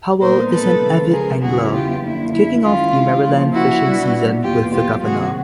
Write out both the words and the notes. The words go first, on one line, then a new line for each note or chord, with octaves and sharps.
Powell is an avid angler, kicking off the Maryland Fishing season with the governor.
A#2 G3 B3 D#4 A#4 C5
A4 B4
C#3 F3 G#3
G#4 A#4
E2 C#3 F#3 B3 E4 F#4 G#4
F4 G4
F#2 D3 F3 A#3 E4
E4
D#3 G#3 C#4 E4 F4
C#3 F3 A#3
E4 F#4
B2 G3 B3 D4
E2 B2 F#3 A#3 F4 G4
F4 G4
C3 D#3 F#3 A#3 F#4 G#4